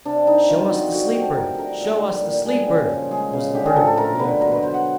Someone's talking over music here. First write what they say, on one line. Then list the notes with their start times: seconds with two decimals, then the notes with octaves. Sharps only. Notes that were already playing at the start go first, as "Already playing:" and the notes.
"Show us the Sleeper, show us the Sleeper!" was the burden of the uproar.
0.05 C3 D4
0.27 D#3 D#4
0.49 G3 F4
0.71 C3 F#4
0.93 D3 F#4
1.08 G4
1.15 F3
1.22 A4
1.33 A3 A4 A#4
1.58 D3 A#4
1.80 A#2
2.02 G3
2.24 A#2
2.45 G3 G#4
2.67 C#3
2.89 F3
3.11 G#3 G#4
3.33 C#3
3.54 D3 G4
3.66 G#4
3.76 F3 A4
3.87 A4
3.97 A3 A#4
4.19 D3 B4
4.41 B2 A#4
4.52 B4
4.63 F#3 C5
4.74 F#5